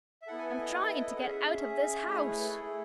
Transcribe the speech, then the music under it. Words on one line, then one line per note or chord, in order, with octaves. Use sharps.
"I'm trying to get out of this house!"
E5
B3 E4 A4 F#5
G#5
G#5
D#5
B3 E4 A4
G#4 F#5
C#4
E5
D#5
E5
C#4 G#4
A3 E4 G#4 D#5
C#5
B4
A4
A3 E4 G#4